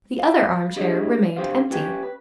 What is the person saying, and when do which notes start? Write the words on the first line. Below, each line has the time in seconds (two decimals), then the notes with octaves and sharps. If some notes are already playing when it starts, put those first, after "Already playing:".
The other arm-chair remained empty.
0.19 F5 B5
0.76 D4 E4 G4 G#4 C#5 D#5
1.36 B2 D3 G4 C5 F5
1.70 C#4 G4 B4 C#5
2.03 B4